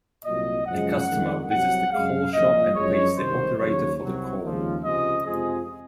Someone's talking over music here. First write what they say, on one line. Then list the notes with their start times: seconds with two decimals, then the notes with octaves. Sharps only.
A customer visits the call shop, and pays the operator for the call.
0.25 C2 A#2 F#3 D#5
0.67 F#2 C#3 F3 G#3 F#5
1.09 F2 D#3 G#3
1.51 C2 C3 F#3 F#5
1.93 F#2 C#3 G#3 F5
2.33 C2 A#2 F3 D#5
2.75 F#2 F3 G#3 C#5
3.17 C2 C3 D#3 C5
3.59 D#2 C#3 F#3 C#5
4.01 C2 C3 F#3
4.43 D#2 C#3 F3 G#3
4.84 C#2 C3 F3 G#3 D#5
5.25 F2 C3 F3 G#3 G#4